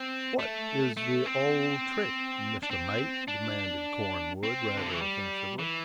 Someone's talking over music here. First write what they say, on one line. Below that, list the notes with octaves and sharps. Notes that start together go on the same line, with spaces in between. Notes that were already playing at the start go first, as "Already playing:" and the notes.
"What is the old trick, Mr. Mate?" demanded Cornwood, rather offensively.
Already playing: C4
A3
A3
C4
D4
C4
D4
C4
D3
E3
G3
E3